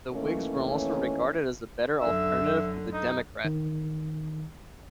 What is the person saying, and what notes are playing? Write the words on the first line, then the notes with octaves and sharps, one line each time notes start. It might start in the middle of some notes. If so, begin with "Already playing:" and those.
The Whigs were also regarded as a better alternative to the Democrats.
D#3 E3 A3 A#3 C#4
F#2 D3 E5
D#4
D#3